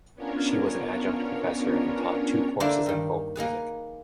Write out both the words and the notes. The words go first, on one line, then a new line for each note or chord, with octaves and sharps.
She was an adjunct Professor and taught two courses in Folk Music.
B3 C#4 D4 F4 A#4 C#5
D3 A#3 D4 E4 C5
G2 D#3
A#3 D#4 G#4 B4